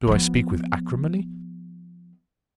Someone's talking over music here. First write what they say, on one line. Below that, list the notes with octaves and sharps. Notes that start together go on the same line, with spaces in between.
Do I speak with acrimony?
F3 B3